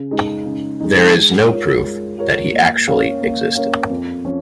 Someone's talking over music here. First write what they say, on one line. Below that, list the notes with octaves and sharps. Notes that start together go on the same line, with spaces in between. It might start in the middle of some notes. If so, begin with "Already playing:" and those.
There is no proof that he actually existed.
Already playing: C#3
G#3 D#4
C#3
G#3 D#4
G#3
F4 A#4 C#5
G#3
F4 A#4 C#5
A#3
C#4 A#4 C#5 F5
A#3
C#4 A#4 C#5 F5
F2
F3 C#4